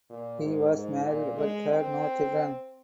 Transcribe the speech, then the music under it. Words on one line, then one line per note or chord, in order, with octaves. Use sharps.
He was married but had no children.
A#2
G#2
G#2
A#2
G#3
C4